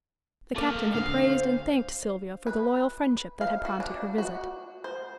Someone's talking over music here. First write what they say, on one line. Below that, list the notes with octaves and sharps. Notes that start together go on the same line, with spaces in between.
The Captain had praised and thanked Sylvia for the loyal friendship that had prompted her visit.
A3 A#3 F5 D6
D2 F5
C5
B4
F5
F#4
D4
F#4
C5